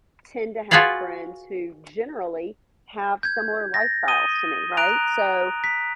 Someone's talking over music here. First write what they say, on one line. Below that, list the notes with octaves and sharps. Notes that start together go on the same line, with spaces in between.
tend to have friends who generally have similar lifestyles to me, right? So,
F4 F#4 G#4 B4 D5 F5
G6 G#6
A6 A#6
D#6 D#7 G7
A#5 F#6 D7 F7
B6